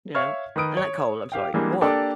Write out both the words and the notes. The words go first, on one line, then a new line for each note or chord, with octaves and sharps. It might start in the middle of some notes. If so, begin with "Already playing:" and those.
You know? And not cold, I'm sorry, warm.
C#5 E5 F5 C#6 F6 G#6
D#3 B4 D#6 D7
C#5
G4 F5 G5
E3 G3 G#3 A#3 D4 G#4
A#3 D4 G4 A4 D5